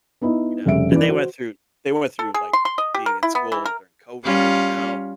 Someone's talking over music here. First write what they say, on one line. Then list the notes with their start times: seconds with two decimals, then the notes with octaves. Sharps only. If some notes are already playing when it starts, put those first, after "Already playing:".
You know, and they went through they went through, like, being in school during COVID, you know,
0.21 B3 D#4 E4
0.66 F1 C#3 G3 E5 D7
0.92 E3 E4 D5
1.08 F#4 C5
2.19 A4
2.34 G#4
2.53 C6
2.65 C6
2.78 D#5
2.94 G4
3.06 A#4
3.23 E4
3.35 B3
3.52 E3
3.65 A#4
4.24 G3 C#4 F4